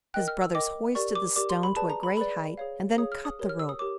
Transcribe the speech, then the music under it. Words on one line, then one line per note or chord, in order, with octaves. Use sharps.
His brothers hoisted the stone to a great height, and then cut the rope.
A#4 D#5 G5 F#6
F6
E6
A#4 D#5 G5 D6
G4 A#4 D5 C#6
D6
G4 A#4 D5 D6
C6
B5
G#4 B4 D5 A5
A#5
B5
G#4 B4 D5 B5
G#4 C#5 F5
G#4 C#5 F5 D#6
F6
D#6
G4 A#4 C#5
F6
E6
D#6
G4 A#4 C#5 D6